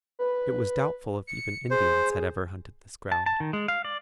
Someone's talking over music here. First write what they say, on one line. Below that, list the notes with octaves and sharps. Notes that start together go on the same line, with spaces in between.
It was doubtful if even Indians had ever hunted this ground.
B4
C#7
G#4 C5
A5
A5
D#3
G#3
F5
D5